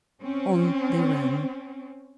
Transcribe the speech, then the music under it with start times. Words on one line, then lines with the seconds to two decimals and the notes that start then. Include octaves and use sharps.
On they ran.
0.21 C4 C#4